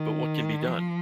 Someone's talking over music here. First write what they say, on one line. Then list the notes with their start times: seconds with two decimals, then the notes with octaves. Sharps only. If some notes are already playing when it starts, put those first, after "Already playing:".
But what can be done?
Already playing: D#3
0.66 F3